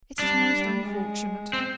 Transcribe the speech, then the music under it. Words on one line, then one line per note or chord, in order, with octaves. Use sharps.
'It is most unfortunate!
G3 D4
G3
G#3
C4